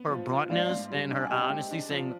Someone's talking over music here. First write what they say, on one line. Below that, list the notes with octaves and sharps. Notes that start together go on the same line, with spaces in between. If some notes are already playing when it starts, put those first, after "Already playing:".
her bluntness and her honesty saying,
Already playing: B3
F3
F3
G#2 D5 F5
G#2
G3
D4
G#5
C3 D#5 G5
G#3
D4
F3